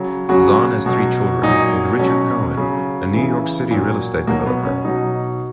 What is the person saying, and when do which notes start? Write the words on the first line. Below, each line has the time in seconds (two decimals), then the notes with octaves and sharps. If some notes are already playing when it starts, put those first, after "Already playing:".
Zahn has three children with Richard Cohen, a New York City real estate developer.
Already playing: C#3 F#3
0.29 C#3 F#3 F#4
0.86 B2 F#3
1.43 A#2 F#3 D#4
1.99 B2 F#3 C#4
2.57 C#3 F#3
3.14 C#3 E3
3.71 A#2 F#3
4.27 B2 F#3 A#3
4.46 B3
4.65 C#4
4.85 B2 F#3 D#4